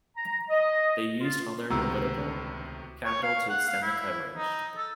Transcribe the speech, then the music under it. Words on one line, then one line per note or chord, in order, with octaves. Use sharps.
They used all their political capital to extend the coverage.
A#5
D#5
F4
C#2 A2 C3 D#3 B3 F#4 A#5 E6
C#5
F5
F#5
F5
E4
D#4
A4